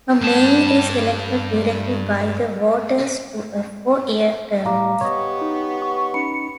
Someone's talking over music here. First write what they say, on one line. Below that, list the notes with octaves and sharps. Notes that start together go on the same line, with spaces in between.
A mayor is elected directly by the voters to a four-year term.
G2 A5
A2 G3 F5 A#5 D6
B3 G4 C#5 D#5 C#6
D#4
C#6
C#4 D#4 B5 C#7